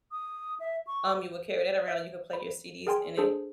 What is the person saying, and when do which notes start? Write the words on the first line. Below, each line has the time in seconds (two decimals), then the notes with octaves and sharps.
um, you would carry that around and you could play your CDs in it,
0.12 D#6
0.60 E5
0.87 C#6
1.88 E5
2.33 B5
2.87 G#4 A#4 G5 G#5 C6
3.17 D4 G#4 A4 C5